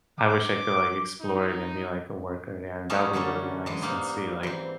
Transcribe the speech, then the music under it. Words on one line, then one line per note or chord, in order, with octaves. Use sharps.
I wish I could, like, explore it and be, like, a worker there, that would be really nice and see, like
D6
D#4
G3 A3 C#4 D#4 F#4 G#4
D3 E3 A3 A#3 C#4
E3 G#3
G#2 G3 A#3 D#4
E3 C4